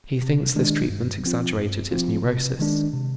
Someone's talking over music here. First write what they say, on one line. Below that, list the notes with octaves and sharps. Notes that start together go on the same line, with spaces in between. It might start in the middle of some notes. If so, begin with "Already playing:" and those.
He thinks this treatment exaggerated his neurosis.
C3
D#3 G#3 D4
G2
F3 C4 F4
G2
F3 C4 F4
C3
D#3 G#3 D4
C3